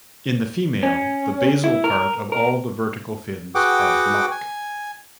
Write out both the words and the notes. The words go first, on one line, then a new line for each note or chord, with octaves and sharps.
In the female, the basal part of all the vertical fins are black.
C#4
E4
A#4
A#4
F#4 G#4 B4 F#5 G5 D6
G#5